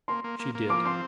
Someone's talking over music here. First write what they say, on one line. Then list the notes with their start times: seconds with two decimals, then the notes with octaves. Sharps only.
She did.
0.08 A#3 C6
0.24 A#3
0.40 A#3
0.55 A#3
0.69 F3 D6
0.85 C4 C6